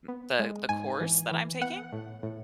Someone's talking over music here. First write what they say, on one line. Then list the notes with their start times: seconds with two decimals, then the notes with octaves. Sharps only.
m the the course that I'm taking,
0.08 B3
0.39 G#3
0.69 G#2 G#5
1.00 E3
1.31 E3
1.61 B3 F#5
1.93 A2
2.23 A2